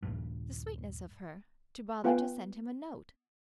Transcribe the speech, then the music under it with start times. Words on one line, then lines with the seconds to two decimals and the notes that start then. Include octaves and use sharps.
The sweetness of her to bother to send him a note!
0.02 D#1 A#1 G2
2.04 B3 F4 B4 F5 G5 G#5